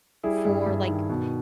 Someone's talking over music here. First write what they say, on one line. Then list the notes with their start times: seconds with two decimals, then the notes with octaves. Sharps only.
for, like,
0.23 G3 E4 G#4
0.45 G2
0.66 G2
0.88 D#3
1.09 B2